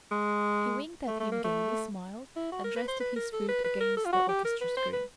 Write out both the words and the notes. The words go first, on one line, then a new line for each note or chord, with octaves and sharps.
He winked at him gaily, smiled, and rested his foot against the orchestra screen.
G#3
A3
A3
A#3
A3
E4
F#4
A#4
B4
C5
B4
A#4
A4
B4
B4
A#4
A4
F4
F#4
G4
A#4
B4
C5
B4